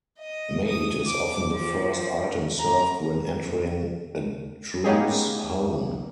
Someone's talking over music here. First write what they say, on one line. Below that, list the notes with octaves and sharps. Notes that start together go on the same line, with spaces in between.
Mate is often the first item served when entering a Druze home.
D#5
D#6
D6
F3
A#5
A#3 B3 C#4 D#4 G4 G#4